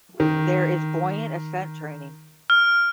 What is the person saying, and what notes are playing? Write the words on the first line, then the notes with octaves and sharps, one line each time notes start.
There is buoyant ascent training.
D#3
F6